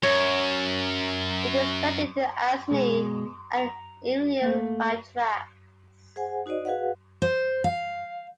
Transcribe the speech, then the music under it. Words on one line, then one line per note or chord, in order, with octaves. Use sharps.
It is connected to Asni and Imlil by tracks.
F#2 C#5
B2 G#3
A#5
A3 A#3
G#4 C5 F#5 G#5
D#4 F#4 C5 D5 D#5
F#4 G#4 B4 F5 F#5
C5
F5